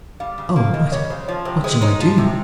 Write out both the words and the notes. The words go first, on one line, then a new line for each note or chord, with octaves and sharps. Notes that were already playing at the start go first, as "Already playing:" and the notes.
Oh, what!--what shall I do?
G3 F5
C#3
A#3
C#3 D#5
D#5
G3 C#5
C#3 C5
F3 C#5
C3 C5
G#3 C5
D#4 C#5
F3
C3